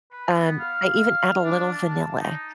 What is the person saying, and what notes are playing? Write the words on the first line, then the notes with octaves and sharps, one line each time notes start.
Um, I even add a little vanilla.
B4
B3
F5
D4
A5
D#4